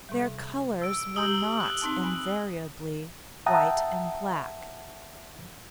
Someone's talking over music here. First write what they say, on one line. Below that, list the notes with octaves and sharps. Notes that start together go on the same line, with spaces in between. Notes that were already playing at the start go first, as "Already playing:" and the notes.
Their colours were not invariably white and black.
C3 G3
E6 D7
G4 A#5 D#6 G6 F#7 G7
F6 F#6
C4 D#4 A5
G#5 B5
E5 F#5 G5 A5 A#5 D#6